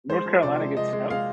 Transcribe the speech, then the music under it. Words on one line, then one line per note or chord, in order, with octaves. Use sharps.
North Carolina gets snow?
G#3 C5
F3
C3 D5
G#3
G#3 D#5
G#3
G#3 F5